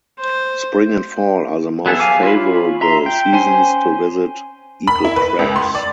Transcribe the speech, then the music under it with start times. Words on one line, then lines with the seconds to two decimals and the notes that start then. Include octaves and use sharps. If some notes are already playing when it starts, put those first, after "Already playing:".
Spring and fall are the most favorable seasons to visit Eagle Crags.
0.19 C5
1.86 F#3 B3 G#4 A4 E5
2.00 F5 G#5 D6
2.23 F4 C#5 B5
2.81 E5 A#5 C6
3.06 G5
3.33 C#4 C5 G#5 C6
4.87 B5
5.05 E4
5.16 B4
5.39 C#2
5.56 C6
5.75 D5